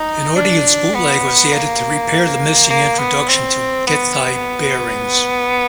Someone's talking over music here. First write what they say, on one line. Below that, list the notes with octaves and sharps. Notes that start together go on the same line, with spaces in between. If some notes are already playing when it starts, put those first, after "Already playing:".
An audience bootleg was added to repair the missing introduction to "Get Thy Bearings".
Already playing: D#4
D4
B3
A#3
A#3
B3
C4
B3